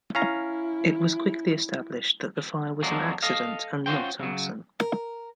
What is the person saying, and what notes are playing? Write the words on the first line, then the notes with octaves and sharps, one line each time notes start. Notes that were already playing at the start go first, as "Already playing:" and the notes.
It was quickly established that the fire was an accident and not arson.
C#4 E4 F5 A#5
F2 F3 F#3 G#3 D4
A4 D#5 F5
C#4 F4 F#4 C5 G5
C#3 F#3
A#4